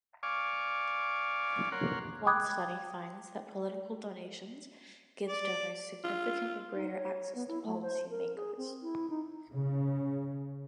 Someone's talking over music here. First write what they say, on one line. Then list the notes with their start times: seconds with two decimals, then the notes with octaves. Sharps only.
One study finds that political donations gives donors significantly greater access to policy makers.
0.23 D5 F5 G#5 C#6 D6
1.72 A#4 C#5 F#5 C6
2.26 G5 B5 D6 D#6 F#6 G#6
5.28 D5
6.04 F4
6.74 D#4
6.94 C#5
7.35 B3
7.48 E4
7.64 A3
7.82 C5
8.10 A#4
8.36 G#4
8.57 C4
8.83 E4
9.09 D#4
9.52 C#3